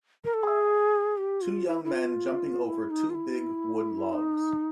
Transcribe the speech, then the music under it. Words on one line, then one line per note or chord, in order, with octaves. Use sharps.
Two young men jumping over two big wood logs.
A#4
A4
G#4
G4
F4
E4
E4
F4
E4
D#4
F4
E4
D#4